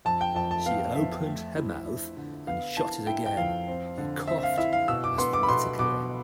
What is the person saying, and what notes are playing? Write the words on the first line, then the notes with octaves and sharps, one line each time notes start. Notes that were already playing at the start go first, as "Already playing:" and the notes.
She opened her mouth and shut it again; he coughed asthmatically.
F2 A5
G5
F2 A5
A5
B3 F5
F2 E5
A3
E4
E4
D3
B3 F5
E4 A5
E4 G5
G5
F2 F5
C4
D3
C4 E5
E5
F5
E4 E5
F5
B2 E6
D6
B3 C6
D6
B5
B2 C6
B2 D6